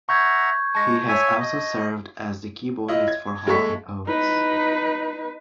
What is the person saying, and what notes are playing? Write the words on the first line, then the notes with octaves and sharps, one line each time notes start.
He has also served as the keyboardist for Hall and Oates.
E5 F#5 A#5 C#6 G6 G#6
G#3 A5 C#6 A#6 B6
C#5 E5 G#5
D#5
E4 F4 D#5
G#6
D#2 G#3 A3 A4 C#6 B6
D#4 B4